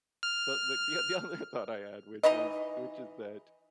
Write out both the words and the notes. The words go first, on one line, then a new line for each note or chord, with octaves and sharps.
So the the, uh, the other thought I had, which was which is that
F6
E3 D#4 B4 D#5